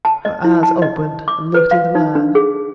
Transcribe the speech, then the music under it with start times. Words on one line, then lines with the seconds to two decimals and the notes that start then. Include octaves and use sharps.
Her eyes opened and looked into mine.
0.05 A5
0.25 D#5
0.44 E4
0.63 A5
0.82 D#5
1.28 D6
1.54 B4
1.71 F5
1.95 D#4
2.15 D4
2.35 G#4